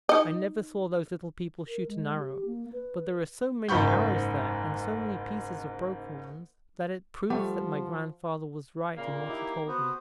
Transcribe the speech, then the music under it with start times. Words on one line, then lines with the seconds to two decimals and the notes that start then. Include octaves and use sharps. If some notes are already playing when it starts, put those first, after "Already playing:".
I never saw those little people shoot an arrow, but there are so many arrows there, and so many pieces of broken ones, that it proves that my grandfather was right in what he told me.
0.09 D#4 D#5
1.68 A#4
1.88 G#3
2.18 G4
2.46 A#3
2.73 B4
3.69 F#1 G#2 B5 C#6 G6
7.30 F3 G3 A3 G4 F#5
8.96 A#2 C#3 A#3
9.28 D#4 E4 G4
9.68 B3 F#4 C5